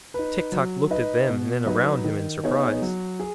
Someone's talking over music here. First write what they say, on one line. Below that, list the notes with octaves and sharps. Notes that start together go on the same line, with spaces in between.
Tik-Tok looked at them and then around him in surprise.
D#4 B4
F#3
D#4 B4 D#5
B2
F#3 D#4 B4 D#5
D#3
B3 D#4 G#4 C#5
F#3
G#4